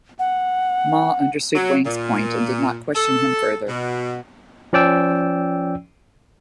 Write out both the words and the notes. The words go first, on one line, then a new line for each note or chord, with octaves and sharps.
Ma understood Wang's point and did not question him further.
F#5
F#3
A#2
A4
B2
F3 C#4 D5 G5 E6